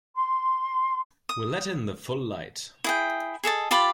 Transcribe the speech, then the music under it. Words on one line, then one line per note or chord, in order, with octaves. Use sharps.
We'll let in the full light.
C6
D#6
E4 G#4 G5
G#4 A4 D#5 A5
F4 G4 D5 B5